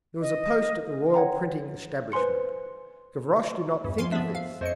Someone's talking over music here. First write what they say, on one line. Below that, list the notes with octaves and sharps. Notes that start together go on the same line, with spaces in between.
There was a post at the Royal Printing Establishment. Gavroche did not think of this.
D#5
C#5 F#5 G5 A#5
B4 C5 G#5 C6 C#7
E2 G2
F3 F5 G#5 C6
B3 D4 E5
F5
F2 C5 C#5 D#5 C#7